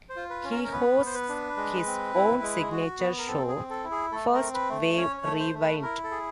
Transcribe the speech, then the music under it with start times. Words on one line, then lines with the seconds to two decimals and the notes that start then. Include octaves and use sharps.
He hosts his own signature show "First Wave Rewind".
0.09 C5
0.16 F4
0.30 B4
0.44 C#4
0.52 A#4
0.64 A#4
0.72 B3 B4
1.00 B3
1.06 C5
1.14 B4
1.29 D4
1.57 G#3
1.86 C4
2.14 E4
2.42 G#3
2.71 F#4
2.99 B3
3.18 A#4
3.28 C4 A4
3.48 G#4
3.56 C4
3.70 A4
3.84 E4
3.91 G#4
4.12 A3 A4
4.34 A#4
4.41 C4
4.54 B4
4.70 A3
4.97 C#4 C#5
5.18 C#5
5.25 A3
5.40 C5
5.54 A3
5.61 B4
5.82 E4 A#4
6.04 A4
6.11 G#4